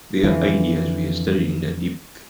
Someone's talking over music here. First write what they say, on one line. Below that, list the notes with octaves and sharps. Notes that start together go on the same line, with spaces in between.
Their ideas were studied in depth.
F2 D3 E3 F3